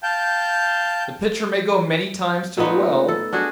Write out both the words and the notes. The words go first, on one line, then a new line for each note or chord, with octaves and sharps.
The pitcher may go many times to the well....'
F5 G5 A5 G6
A#2 A3 B3 D#4
A4
D4 F#4 G#4